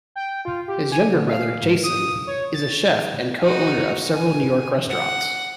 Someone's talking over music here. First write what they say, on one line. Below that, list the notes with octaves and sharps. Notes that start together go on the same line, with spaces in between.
His younger brother, Jason, is a chef and co-owner of several New York restaurants.
G5
F4
G4
G#5
D3
F5
G#2
D#6
C#5
A6
D#4 F#4
G#5
F#5